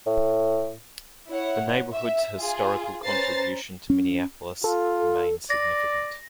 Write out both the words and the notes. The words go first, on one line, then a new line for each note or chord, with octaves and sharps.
The neighborhood's historical contribution to Minneapolis remains significant.
A2
E4 C#5 F#5
E5
F4 G#4
C#4 B4 C5 A#5 A6 C7
C#4
F4 A4
D5 A#6